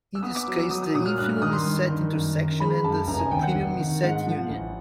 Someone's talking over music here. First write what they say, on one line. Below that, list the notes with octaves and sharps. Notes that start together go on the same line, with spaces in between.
In this case, the infimum is set intersection, and the supremum is set union.
E6
B3 D#6
D6
F#3 E6
E6
F#3 D#6
D#6
A#2 D#6
F6
G2 F#6
F6
D#3 D#6
C6
G2
D#3
F#2
D#3
G#3 B5
F#2 A5
F1 A#5
G#5
D#2 G5
F#5
F1
D#3
G#2 F#5
F3
A1